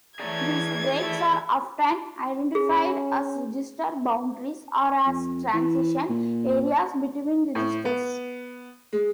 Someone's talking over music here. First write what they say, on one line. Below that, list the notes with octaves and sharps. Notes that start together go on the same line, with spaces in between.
These breaks are often identified as register boundaries or as transition areas between registers.
E3 A3 G#4 C#5 D5 A#5 G#6
A3 E4
C#4 G#4
F2
E3
A#2
A2
B3
G#3